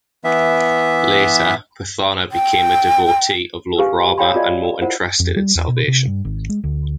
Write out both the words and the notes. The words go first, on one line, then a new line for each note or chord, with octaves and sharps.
Later, Pothana became a devotee of Lord Rama and more interested in salvation.
E3 B3 E5
G5
G4 G#4 B4 F5 G#5
C#5 F5 G5 G#5 B5 C6
F4 F#4 G#4 A#4 D5 D#5
E4 F4 A#4 C5 F#5
F2
G3
E2
B2
C3
G2
G#1
G#3
D2